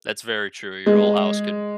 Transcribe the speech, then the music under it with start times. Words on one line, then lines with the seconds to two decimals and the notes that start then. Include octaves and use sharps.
That's very true, your whole house could
0.86 G#3